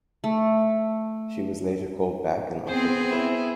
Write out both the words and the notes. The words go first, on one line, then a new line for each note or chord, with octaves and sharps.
She was later called back and offered the job.
A3
B3 C4 G#4 C5
E4